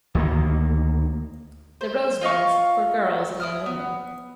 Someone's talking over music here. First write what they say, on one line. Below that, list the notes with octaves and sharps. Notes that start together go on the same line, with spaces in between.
The Rosebuds, for girls and young women.
D2 D#3 G#3 A#3
C5
F4 D#5 F5 C#6
E4 D#6 F6
B3